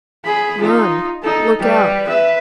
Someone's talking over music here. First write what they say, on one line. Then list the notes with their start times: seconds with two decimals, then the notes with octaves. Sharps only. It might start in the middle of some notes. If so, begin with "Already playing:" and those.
Run! Look out!
0.24 G#4 B5
0.60 D#4 F4
1.23 D#4 A4
1.59 G3 B4
2.07 B4 E5